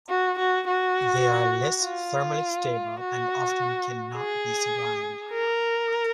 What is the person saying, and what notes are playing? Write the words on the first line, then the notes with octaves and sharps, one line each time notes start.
They are less thermally stable and often can not be sublimed.
F#4
F#4
F#4
F4
F#4
G#4
A#4